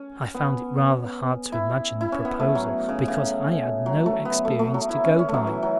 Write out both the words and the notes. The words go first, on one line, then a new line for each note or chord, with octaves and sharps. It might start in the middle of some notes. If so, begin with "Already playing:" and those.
I found it rather hard to imagine the proposal because I had no experience to go by.
Already playing: C#4
B3
E4
E4
C#4
B3
A3
F#3
C#3
C#3
F#3
A3
B3
A3
A3
F#3
E4
C#4
C#4
A3
F#3
E3
F#3